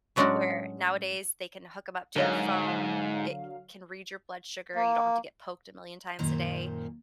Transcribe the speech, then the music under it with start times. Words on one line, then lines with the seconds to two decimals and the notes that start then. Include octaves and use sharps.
where nowadays they can hook 'em up to your phone. It can read your blood sugar. You don't have to get poked a million times a day.
0.16 A2 F#3 G#3 C#4 D4 F#4
2.16 G#2 D3 F#3 A#4 C#5 D#5 F5
4.75 A#3
6.19 F#2 A#2 D#3 A#3 C5 A#5